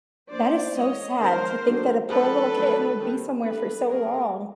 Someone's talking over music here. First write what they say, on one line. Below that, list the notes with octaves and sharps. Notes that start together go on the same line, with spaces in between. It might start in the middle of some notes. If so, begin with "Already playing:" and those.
That is so sad to think that a poor little kitten would be somewhere for so long.
F3 A#3 D4 C5 D5
E3 G#3 C#4 C#5 D#5
D#3 G#3 C#4 A#4 C5
D#3 F#3 A3 D4
F3 G#3 B3 D4 A4 B4
D#3 F#3 A3 D4
D#3 G3 C4
G3 B3 D4 A4 B4
F#3 A#3 C#4 G#4 A#4